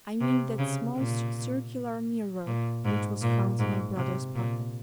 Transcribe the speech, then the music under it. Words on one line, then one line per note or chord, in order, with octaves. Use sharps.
I mean that small, circular mirror which was found in my brother's pocket.
C3
C#3
A#2
A#2
G#2
A#2
G#2
C3
A#2